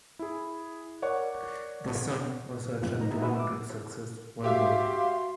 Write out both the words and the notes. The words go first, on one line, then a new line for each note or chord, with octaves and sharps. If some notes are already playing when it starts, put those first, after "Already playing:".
The song also attracted moderate success worldwide.
E4 G#4
A#4 C#5 D5 F#5 C#6 D6
G2 A#2 C#3 F3
A2 D#4 A#5
B3 D#4 G#4 E5 G#5
F#4 B4 C5 E5 F#5
D6 E6
F#4 G4 E5 F5 C6